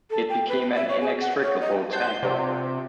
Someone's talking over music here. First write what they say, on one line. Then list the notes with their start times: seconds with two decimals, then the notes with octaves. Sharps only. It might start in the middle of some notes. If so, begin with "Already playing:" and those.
It became an inextricable tangle.
0.10 A4
0.29 G5
0.49 B4
0.75 E5
0.89 C#5
1.01 G#4
1.21 F#5
1.43 C#5
1.60 D#5
1.92 C5 F#5 A5 G6
2.23 C3 F3 C5 D5